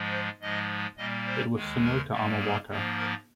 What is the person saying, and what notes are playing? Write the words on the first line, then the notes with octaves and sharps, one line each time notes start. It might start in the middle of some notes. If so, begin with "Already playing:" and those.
It was similar to Amawaka.
Already playing: G#2 F3 G#3
C5
G#2 F3 G#3 D#5
A#2 G3 A#3 D#5
C5
D#2 D#3 G#3
A#4
G2 G3 A#3
G#4
G#2 F3 A#3
A#4